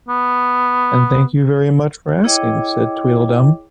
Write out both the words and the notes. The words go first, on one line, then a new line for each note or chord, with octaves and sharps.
And thank you very much for asking,’ said Tweedledum.
B3
E4 G#4 C#5 D#5 G5 D6